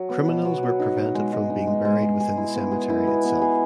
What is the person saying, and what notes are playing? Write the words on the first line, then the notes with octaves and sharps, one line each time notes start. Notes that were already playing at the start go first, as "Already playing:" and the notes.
Criminals were prevented from being buried within the cemetery itself.
Already playing: F#3
B3
B2
B2
F#3
D#4
D#4
G#3
G#3
D#4
G#3
G#3
G#3
G#4
E4
B3
G#4
E4
B3
B3
G#4